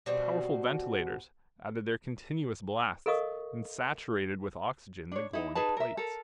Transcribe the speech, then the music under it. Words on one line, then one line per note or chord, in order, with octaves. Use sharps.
The powerful ventilators added their continuous blasts and saturated with oxygen the glowing plates.
B2 G3 C4 F#4
A4 A#4 D#5 F5 C#6 D#6
D4 C#5
D#4 E4
D#4 G#4 B4 A5
A#4 E5
A4 A#4